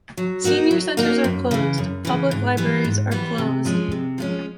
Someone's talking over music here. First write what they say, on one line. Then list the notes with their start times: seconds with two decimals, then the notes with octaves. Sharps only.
Senior centers are closed. Public libraries are closed.
0.17 F#3
0.44 A#3 D#4 F#4 A#4
0.71 F#3
0.97 A#3 D#4 F#4 A#4
1.24 F#2
1.51 C#3 E3
1.78 F#2
2.05 C#3 E3
2.31 G#2
2.57 E3 G3 B3
2.84 G#2
3.11 E3 G3 B3
3.38 C3
3.65 F3 G#3 C#4
3.92 C3
4.18 F3 G#3 C#4